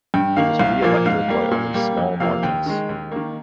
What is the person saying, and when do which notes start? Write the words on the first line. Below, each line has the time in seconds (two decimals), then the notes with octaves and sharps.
He was re-elected by only small margins.
0.14 G2 G5
0.36 D#3 A#3 F5
0.59 C2 F5
0.82 A#2 F3 A#3
1.06 G#2 F5
1.28 G3 A#3
1.51 A#2
1.74 G3 A#3
1.97 F2
2.20 C3 F3 A#3 F5
2.43 D#2 G5
2.66 D#3 G#3
2.89 D#2
3.12 D#3 A#3